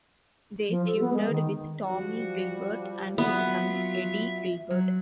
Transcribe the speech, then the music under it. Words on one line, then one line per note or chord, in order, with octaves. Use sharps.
They feuded with Tommy Gilbert and his son, Eddie Gilbert.
F3
A4
B3
G#3
D#3
F3 G3 F#4
F#3 B3 F4 E5
F#3